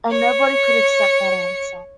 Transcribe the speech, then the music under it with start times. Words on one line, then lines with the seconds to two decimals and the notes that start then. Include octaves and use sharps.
And nobody could accept that answer.
0.10 C#5 C#7